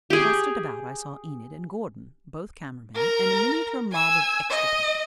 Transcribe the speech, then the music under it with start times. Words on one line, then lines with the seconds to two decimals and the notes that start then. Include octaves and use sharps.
Clustered about I saw Enid and Gordon, both camera men, and a miniature mob of extra people.
0.10 G4 G#4
2.95 A#4 A#5
3.92 G#5 E6
4.50 D#5